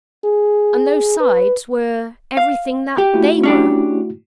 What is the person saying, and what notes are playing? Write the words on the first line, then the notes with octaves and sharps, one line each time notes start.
And those sides were--everything that THEY were!
G#4
B4
F5
G4 G5
A3 E4 F#4
C#4 D4 G4